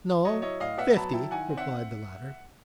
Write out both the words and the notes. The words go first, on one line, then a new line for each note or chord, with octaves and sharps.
"No, fifty," replied the latter.
F#3 C#5 D#5
E4 C#5 D#5
A2 D#5 F5
B3 E5 F#5
F#3 A5 B5
E4 G5 A5
D#3 F#5 G#5
C4
E5 F#5